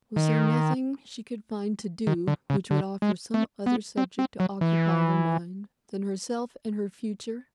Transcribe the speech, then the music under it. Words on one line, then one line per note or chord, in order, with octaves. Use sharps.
Was there nothing she could find to do which would offer some other subject to occupy her mind than herself and her future?
D#3
D#3
D3
C#3
D3
G#3
A3
B3
C4
C4
F#3
E3